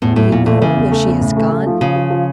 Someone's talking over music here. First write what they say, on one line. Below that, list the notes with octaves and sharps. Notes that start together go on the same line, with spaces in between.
"Do you know where she has gone?"
E2 A2
A2 A3
E2 A#2
A#2 A3
C#3 E3
E2
A3
E2
A2
A3
A3
F3
C#3 F3
F3
F3